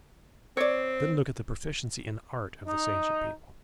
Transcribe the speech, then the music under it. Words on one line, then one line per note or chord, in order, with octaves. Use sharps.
Then look at the proficiency in art of this ancient people.
C4 C#5 D5
D#4